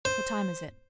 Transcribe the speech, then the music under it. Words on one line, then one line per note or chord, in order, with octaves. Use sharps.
"What time is it?"
C5